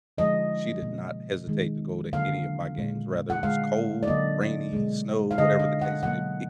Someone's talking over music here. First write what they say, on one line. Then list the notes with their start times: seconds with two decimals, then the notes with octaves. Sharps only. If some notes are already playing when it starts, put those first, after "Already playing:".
she did not hesitate to go to any of my games, rather it was cold, rainy, snow, whatever the case may be.
0.18 D3 F3 G#3 D#5
0.82 B2 A#3
1.48 D#3 G#3
2.13 D3 F#3 A#3 F5
2.78 A#2 G#3
3.30 F#5
3.43 D3 G#3 F5
4.03 D5
4.07 D3 F#3 A#3 D#5
4.73 B2 G#3
5.31 F5
5.38 D3 G#3 D#5
5.59 F5
5.81 F#5
6.03 B2 F#3 A#3 F#5